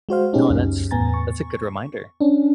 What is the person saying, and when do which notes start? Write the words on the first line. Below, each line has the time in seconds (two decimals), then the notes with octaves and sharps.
No, that's that's a good reminder.
0.09 G#3 F#4 C5 F5
0.33 A3 B3 C#4 D#4 G4 G#4
0.50 C#2 F#2
0.91 E2 A2 B3 G#5 A#5 A6
1.14 C#6
2.21 C#4 D4